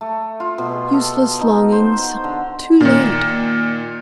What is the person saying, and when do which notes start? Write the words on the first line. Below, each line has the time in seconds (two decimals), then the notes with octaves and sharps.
Useless longings! Too late!
0.01 A3
0.40 F4
0.58 B2
0.72 G#4
0.94 A4
1.41 D#4
1.72 C5
2.02 F#4
2.24 D3
2.81 A#2 D#3